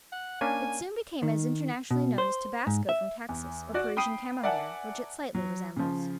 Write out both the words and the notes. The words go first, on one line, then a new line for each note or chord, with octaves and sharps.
It soon became as internationally known as tabasco from Texas or Parisian Camembert which it slightly resembles.
F#5
A#3 C#4 D4 G#5
D#3
B2
C5
G#2
E5
E2
F#4 D5
G5 B5 D#6 C7 D#7
A#4 D5 E5 F#5 G#5 A5
F#3
C#3 F3